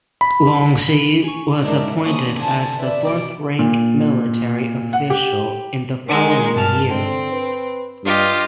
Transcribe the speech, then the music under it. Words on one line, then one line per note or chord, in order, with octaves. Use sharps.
Longxi was appointed as the fourth rank military official in the following year.
B5
G#5 C#6
G#2 D4 A#4 D5 E5
F3 A#3 C#4 D#6
D3 F3 G#5 A5
B4 D5 E5
B2 D5 D7
A#2
F#5
G4
D#3 G#3 D#4 A#4
G2 A5 F6
D3 C4
B4
G2 F4 G4 D#5